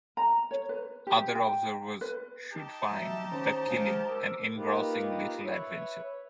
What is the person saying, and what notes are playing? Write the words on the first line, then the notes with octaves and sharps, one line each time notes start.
Other observers should find "The Killing" an engrossing little adventure.
A#5
C#5
B4
G4
G5
B4
D#4 G4 A5
F#3 E5 A#5
D#3 C#4 C5
G#3 F5 G#5
A#4 D6 E6
A#3 D#4 F4 G4 B4
B4 C#5 E5